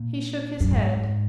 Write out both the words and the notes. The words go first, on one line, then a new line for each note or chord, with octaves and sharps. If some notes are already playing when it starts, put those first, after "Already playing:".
He shook his head.
Already playing: A#2
F#2
G#2